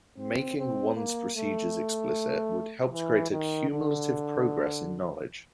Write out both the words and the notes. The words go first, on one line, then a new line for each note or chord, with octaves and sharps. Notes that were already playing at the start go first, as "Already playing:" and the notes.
Making one's procedures explicit would help to create a "cumulative progress in knowledge".
C4
C4
A#3
A3
E3
D#3
D3